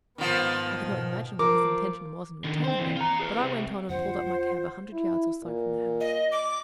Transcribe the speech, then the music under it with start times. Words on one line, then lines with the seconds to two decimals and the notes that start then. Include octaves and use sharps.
I could not imagine what his intention was in returning there; but I went on and pulled up my cab a hundred yards or so from the house.
0.18 G#2 D#3 F3 B3
0.85 B2
1.39 F3 A#4 D6
2.44 D3 D#3
2.64 C5 G5
2.79 E3 C4
2.97 F4 A#5
3.20 G#4 B4
3.39 G3 C4
3.89 F2 D3 F4 C5 F#5
4.93 E4
5.44 A#2
6.01 D#5
6.32 D6